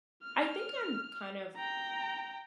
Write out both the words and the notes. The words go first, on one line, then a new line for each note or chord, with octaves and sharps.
I think I'm, kind of,
F6
G5 A#5